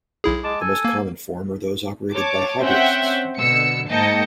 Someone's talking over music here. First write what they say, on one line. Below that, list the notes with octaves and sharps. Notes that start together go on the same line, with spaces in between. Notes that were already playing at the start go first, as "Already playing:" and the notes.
The most common form are those operated by hobbyists.
B1 E4 G#4
G#3 A5 D6
A4 G#5
A#3
C#5 A5 D6
C4 C#4 E5 F#5 G5
B2 D3 E6 C#7
G#2 A#3 D#5 G5 A5 C#7